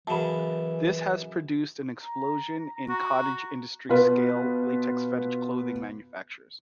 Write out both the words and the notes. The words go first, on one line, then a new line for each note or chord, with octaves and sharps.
This has produced an explosion in cottage industry scale latex fetish clothing manufacturers.
F#2 C#3 E3 A5 B5
A#5
F#4
B2 F4 B4